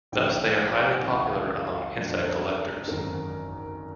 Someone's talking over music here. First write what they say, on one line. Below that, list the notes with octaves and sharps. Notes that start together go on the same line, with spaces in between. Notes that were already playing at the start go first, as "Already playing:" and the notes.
Thus, they are highly popular among insect collectors.
A#1 G#2 F3 G5
G5
G5
G5
G#5
G5
G5
G5
F#5
C#2 C#3 E3 F5
E5
F5
G5
G1 F2 D3 F3 D5
C5
A4
A#4
G#1 F#2 D#3 A#4